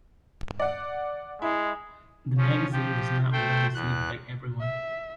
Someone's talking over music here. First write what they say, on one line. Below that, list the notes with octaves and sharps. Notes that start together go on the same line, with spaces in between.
The magazine was not well received by everyone.
D5 F#5
G#3 E4
F3 C#4
F3 G4
A3 C5 G5
E2 F#6
E5